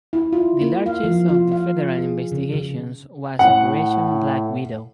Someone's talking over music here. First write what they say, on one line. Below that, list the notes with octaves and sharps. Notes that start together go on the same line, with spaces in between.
The largest of the federal investigations was Operation Black Widow.
E4
F4
A#3
F5
F3
F4
F5
G#4
C#3
C#3
A2 F#5